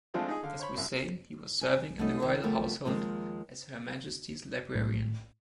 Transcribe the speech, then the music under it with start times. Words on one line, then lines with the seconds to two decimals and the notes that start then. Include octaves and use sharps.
As we say, he was serving in the Royal Household as Her Majesty’s librarian.
0.14 F3 G#3 A3 C4 D4 F4
0.28 D#4 G#4
0.43 D3 F5
0.60 C5 C#5 B5
0.75 C2 F#2
1.61 G#5
1.99 A3 B3 C#4 D#4 A4
2.20 D#3 D#4 F4
2.43 F3 G3 A3 B3 F4 A#4
2.85 D#2 F3 G#3 A#4
4.75 A2